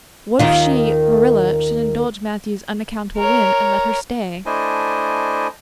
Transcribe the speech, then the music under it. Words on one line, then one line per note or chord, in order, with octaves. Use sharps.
What if she, Marilla, should indulge Matthew's unaccountable whim and let her stay?
D#2 D#3 F4
A#4 C#5
A3 D4 E4 C5 D#5 G#5